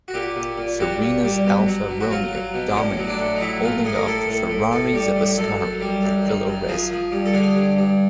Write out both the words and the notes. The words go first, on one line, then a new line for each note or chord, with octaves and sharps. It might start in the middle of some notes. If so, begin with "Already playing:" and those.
Farina's Alfa Romeo dominated, holding off the Ferraris of Ascari and Villoresi.
F#4
A#2 G4
A#2
A#2
G3 F#4
A#2
G3
B2
F#3
B2
F#4
F#3 F4
F#3
B2
D4
A2 C#4
F#3
D4
A2
D#4
F#3 E4
A2 F4
A2 G#4
A#4
A2 A4
A2
A2
A2 A4
G3
A2
F#2 A4
F#2
G3
F#2
D#3
F#2
F3 G#4
F3
G2
A4
D3 G#4
G2
G2